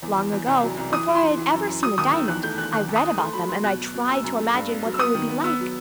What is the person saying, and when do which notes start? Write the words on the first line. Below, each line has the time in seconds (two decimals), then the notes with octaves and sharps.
Long ago, before I had ever seen a diamond, I read about them and I tried to imagine what they would be like.
0.02 E2
0.17 E2
0.32 E2
0.47 C2
0.63 F#3
0.77 C2
0.93 E3 D#6
1.08 E3
1.15 C6
1.22 E3
1.37 E3
1.53 F#2
1.68 F#2
1.83 F#3 D#6
1.98 D#2 D#6
2.13 D#3 E6
2.28 E2 F#6
2.43 A3 G6
2.58 E2 F#6
2.73 D#2 F#6
2.88 D#2
2.96 D#6
3.03 D#3
3.18 A3 C6
3.33 F#3 B5
3.48 F#3 C6
3.63 B2 F#6
3.79 F#3
3.94 B2
4.08 F#2 E6
4.24 F#2
4.39 A3
4.54 G2
4.69 B3
4.84 F#3
4.94 E6
4.99 B3 D#6
5.15 D#3
5.29 B3
5.44 B3 E6
5.60 F#3